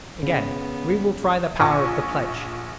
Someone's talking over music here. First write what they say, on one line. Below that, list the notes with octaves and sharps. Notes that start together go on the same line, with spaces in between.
Again: we will try the power of the pledge.
C#3 B3
A#1 G#5 C#6